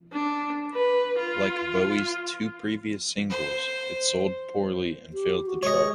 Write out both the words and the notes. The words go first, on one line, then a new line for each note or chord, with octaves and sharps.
Like Bowie's two previous singles, it sold poorly and failed to chart.
D4
B4
F4
C5
G4
F#4
G#3 C#5 D#5